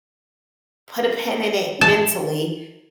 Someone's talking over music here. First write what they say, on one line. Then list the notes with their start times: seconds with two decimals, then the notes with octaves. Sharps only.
put a pin in it, mentally,
1.81 A5